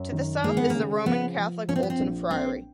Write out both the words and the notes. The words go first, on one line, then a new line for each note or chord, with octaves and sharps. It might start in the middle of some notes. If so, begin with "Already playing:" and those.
To the south is the Roman Catholic Olton Friary.
Already playing: F#2
D#3
G#3 A#3
B3
C#3 A#3
F3 B3
F3
F3 C#4
C4
B3
C4
A#1
A#1 C4